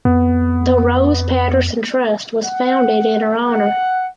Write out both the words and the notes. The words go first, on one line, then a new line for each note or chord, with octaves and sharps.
The Rose Paterson Trust was founded in her honour.
F2 B3
F#5
F#5